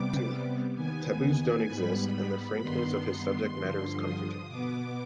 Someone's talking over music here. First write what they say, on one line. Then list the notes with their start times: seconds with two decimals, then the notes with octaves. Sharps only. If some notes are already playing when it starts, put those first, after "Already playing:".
Taboos don't exist, and the frankness of his subject matter is comforting.
Already playing: C3 G3 B3 D6
0.75 D#2 D#3 B3 G#5
1.68 G#2 G3 B3 B5
2.61 G2 D#3 B3 C6
3.54 G2 D3 F3
4.01 D#6
4.48 B2 B3 D6